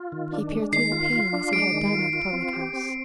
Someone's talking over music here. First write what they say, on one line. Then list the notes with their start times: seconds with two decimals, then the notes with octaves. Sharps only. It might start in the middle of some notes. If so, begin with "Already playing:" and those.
He peered through the pane as he had done at the public house.
Already playing: F4
0.12 D#3
0.32 D4
0.52 G#3
0.72 D#3 C7
0.92 F4
1.12 F4
1.33 D4
1.53 G#3 D7
1.73 D#3
1.93 F4
2.13 F4
2.33 C4
2.53 G4
2.73 C4